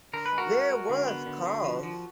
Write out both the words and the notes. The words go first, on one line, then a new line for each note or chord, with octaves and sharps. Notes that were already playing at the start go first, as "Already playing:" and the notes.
There was cause.
D3 A#4
B4
G#3
F#4 A#4
G#3
G#3
D3
B3
D3
D3
F3
F3